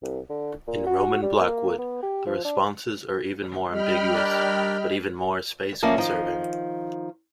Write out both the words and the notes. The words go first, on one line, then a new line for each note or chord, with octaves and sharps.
In Roman Blackwood, the responses are even more ambiguous, but more space-conserving.
C2
D3
A#2
F#4
G3
A#3
B3
G4
F3
D4
G3 D#5 G5 B5 F6
D4 A#4 D5
F3 A#3 C#4 D5 E5
D#3 F3